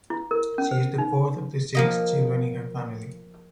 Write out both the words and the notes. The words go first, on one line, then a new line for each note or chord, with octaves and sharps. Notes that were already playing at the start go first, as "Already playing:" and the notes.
She is the fourth of the six children in her family.
E4
A#4
C#4
C5
D#4
F3 A#3 D#5